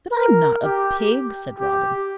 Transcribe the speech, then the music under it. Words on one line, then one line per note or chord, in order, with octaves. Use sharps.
"But I'm not a pig," said Robin.
A#4
G4
G4